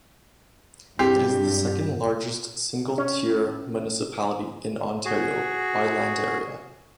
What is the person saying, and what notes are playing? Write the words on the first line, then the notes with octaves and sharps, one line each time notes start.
It is the second largest single-tier municipality in Ontario by land area.
G2 C4 E4 G4 G#4
C#4
F#4 G#4